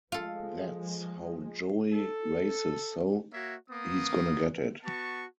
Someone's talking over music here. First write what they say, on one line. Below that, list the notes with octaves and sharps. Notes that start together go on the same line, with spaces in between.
That's how Joey races so, he's gonna get it.
F3 G#3 F4 A4
A4
A#3 F#4 C#5 E5
A#3 B3 D#6
B3 F#4 A5 C#6